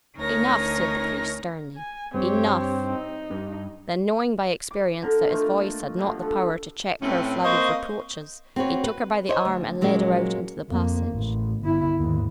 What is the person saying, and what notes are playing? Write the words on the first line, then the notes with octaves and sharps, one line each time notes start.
"Enough," said the priest, sternly, "enough." Then, knowing by experience that his voice had not the power to check her flood of reproaches, he took her by the arm and led her out into the passage.
D2 C#4 D#4 A#4 C#5 A#6
G#5
G2 C4 G4 C#5
D#4
G2
D6
D3 A#4
A#2 A3 D#4 F4
G2 B2 F3 D4
F3 A4
A2 C4 C#4 B4
A#3 C5 D#5 F5 C#6
C4 F#4 B4 C#5
B4
C5 C#5 D#5
D2
A#2 F#3 G#3 A#3 C#4
F2 A#3
A1
G1 E4
D#2 G#2